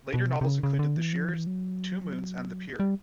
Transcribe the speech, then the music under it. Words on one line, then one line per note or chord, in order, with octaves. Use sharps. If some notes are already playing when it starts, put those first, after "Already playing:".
Later novels include "The Shearers", "Two Moons" and "The Pier".
B2
C3
C3
C#3
C#3
D3
E3
F3
E3
F#3
G3